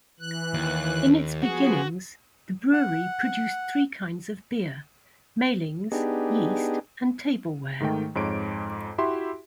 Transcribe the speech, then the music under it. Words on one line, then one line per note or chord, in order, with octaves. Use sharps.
In its beginnings, the brewery produced three kinds of beer: mailings, yeast and tableware.
E3 F#6
D#2
F3 B3 F#4 G#4
F#5
B3 D4 D#4 G4 G#4
G#2 D#3 A3 G5
F2 G#2 C#5 D7
E4 F#4 G4 E5 C6